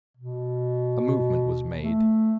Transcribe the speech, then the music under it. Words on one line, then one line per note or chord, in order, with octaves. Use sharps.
A movement was made.
B2
A3